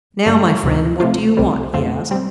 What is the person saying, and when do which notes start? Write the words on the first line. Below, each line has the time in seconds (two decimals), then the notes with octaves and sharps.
"Now, my friend, what do you want?" he asked.
0.26 G2 D3 A3 D4
0.63 D2 C3 F3
1.00 C3 A3 C4 F4
1.37 C2 C3 G3 C4
1.74 F2 D3 A3 C4 F4
2.11 G3 C4